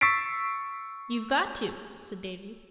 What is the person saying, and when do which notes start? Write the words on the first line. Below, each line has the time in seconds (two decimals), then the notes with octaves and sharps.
"You've got to," said Davy.
0.01 C#6 E6 A6 B6 C7 D7